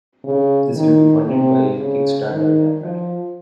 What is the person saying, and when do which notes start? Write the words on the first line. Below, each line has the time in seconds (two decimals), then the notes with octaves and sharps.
This will be funded by a Kickstarter campaign.
0.24 C#3
0.75 D#3
1.27 C3
1.78 C#3
2.31 D#3
2.81 F3